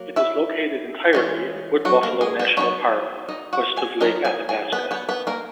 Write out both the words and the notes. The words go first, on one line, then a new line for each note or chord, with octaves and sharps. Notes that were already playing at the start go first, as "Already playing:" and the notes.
It is located entirely in Wood Buffalo National Park, west of Lake Athabasca.
Already playing: F#3 A#3
E4 E5
E3 G#3 C#4
F#3 F#4
A#3 A#4
G#3 G#4
B3 B4
F#3 B3 C#4 D#4 C#5
D#4 D#5
F#4 F#5
G#4 G#5
D#3 F#3 B3 D#4 A#4 A#5
G#4 G#5
G#4 G#5
B3 B4
B3 B4
B3 B4
A#3 A#4